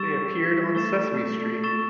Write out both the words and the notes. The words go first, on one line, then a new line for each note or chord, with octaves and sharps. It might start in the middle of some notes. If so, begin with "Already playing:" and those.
They appeared on Sesame Street.
Already playing: G3 C#6 E6 A6 E7
A3 C#6 E6 A6 E7
C#6 E6 A6 E7